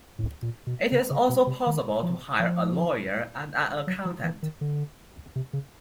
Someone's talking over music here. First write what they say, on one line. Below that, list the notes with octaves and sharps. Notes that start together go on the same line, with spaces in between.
It is also possible to hire a lawyer and an accountant.
A2
A#2
B2
C#3
C#3
B2
C3
D#3
F3
F3
F#3
F3
E3
D#3
D3
C3
C#3